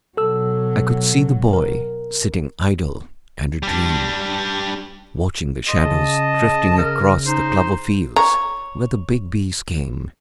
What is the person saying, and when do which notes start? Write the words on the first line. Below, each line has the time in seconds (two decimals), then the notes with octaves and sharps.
I could see the boy, sitting idle and a-dream, watching the shadows drifting across the clover fields where the big bees came.
0.17 B2 F#3 A4 E6
1.53 A#4
3.63 G3 D4
5.68 D#5 C6
5.85 C#3 A5
6.79 A#4
7.27 D#4 C5
8.16 C#5 A#5